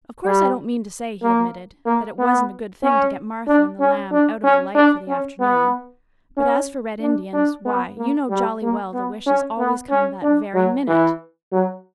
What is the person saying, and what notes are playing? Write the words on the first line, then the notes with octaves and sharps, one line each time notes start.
'Of course I don't mean to say,' he admitted, 'that it wasn't a good thing to get Martha and the Lamb out of the light for the afternoon; but as for Red Indians - why, you know jolly well the wishes always come that very minute.
G3
A#3
A#3
B3
C#4
D4
C#4
D4
C#4
D4
C#4
B3
C#4
D4
D4
B3
A#3
G3
A#3
B3
C#4
B3
C#4
D4
F#3
E3
F#3